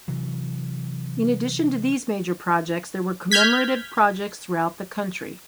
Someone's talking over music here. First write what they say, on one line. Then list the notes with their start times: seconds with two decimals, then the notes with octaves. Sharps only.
In addition to these major projects there were commemorative projects throughout the country.
0.08 C3 E3 F#3
3.31 F6 G6 G#6 B6